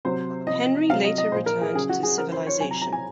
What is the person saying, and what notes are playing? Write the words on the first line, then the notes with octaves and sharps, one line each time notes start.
Henry later returned to civilization.
C3 F#3 C5
C3 F3 D#5
C3 F#3 F5
D#5
D#5
A#2 F3 C5
A#4
G#4
C#3 F#3 G#4
F#4
G#4
C#3 F3 A#4
C5
C#5
C3 F#3 G#5
A#5
A#5
G#5